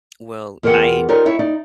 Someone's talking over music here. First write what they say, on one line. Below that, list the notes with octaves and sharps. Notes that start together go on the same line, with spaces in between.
Well, I
E2 F4 A#4 C5 F#5 G5
D#4 F4 G4 A#4 C#5 D5
E4 C#5 E5
D#4 D5